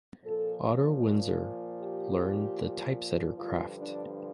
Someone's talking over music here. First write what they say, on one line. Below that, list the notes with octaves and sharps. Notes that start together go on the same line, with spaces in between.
Otto Winzer learned the typesetter craft.
A#2 F3 A4
G4
G2 D3 F3 F4
D4